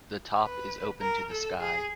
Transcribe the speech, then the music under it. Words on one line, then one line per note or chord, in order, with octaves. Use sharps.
The top is open to the sky.
B4
A#4
A4
G#4